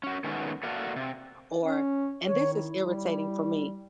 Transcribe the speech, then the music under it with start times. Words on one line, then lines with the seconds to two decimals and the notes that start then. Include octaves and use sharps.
or and this is irritating for me,
0.03 C#4 F#4
0.24 D#3 G#3 A3 B3 C#4 F#4
0.63 A3 A#3 F#4 A4 D5 F5
0.96 C3
1.62 C#4
2.26 D#3 C#5
2.53 E4
2.79 G3